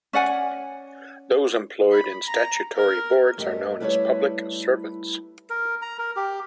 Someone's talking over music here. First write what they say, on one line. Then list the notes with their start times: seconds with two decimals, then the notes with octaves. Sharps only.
Those employed in statutory boards are known as "public servants".
0.13 C#4 D5 F#5 G#5
1.91 B5
2.26 A#5
2.75 A#4
3.37 E2 G2 A3 G4 A#4 D#5
3.80 G3 A3 E4 B4 C#5
5.50 A#4
5.82 A#5
5.99 A#4
6.16 G4